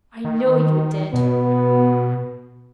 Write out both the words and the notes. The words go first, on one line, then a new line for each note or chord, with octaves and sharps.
"I know you did."
D#3
B2 B3